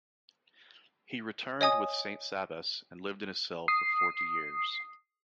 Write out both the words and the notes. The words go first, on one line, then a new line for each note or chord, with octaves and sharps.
He returned with Saint Sabas and lived in his cell for forty years.
C#5 D#5 G#5 D#6
D#6 C7